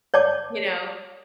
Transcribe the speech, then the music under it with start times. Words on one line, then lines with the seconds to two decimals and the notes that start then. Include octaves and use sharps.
you know?
0.14 C#5 D5 A5 D6